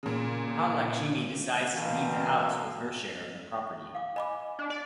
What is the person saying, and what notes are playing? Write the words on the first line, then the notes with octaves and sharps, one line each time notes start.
Mahalakshmi decides to leave the house with her share of the property.
A#2 C#3
B2 D3 E3 A#3 F5 G5
F5 D6
D#5 G#5 B5 D6
D4
D5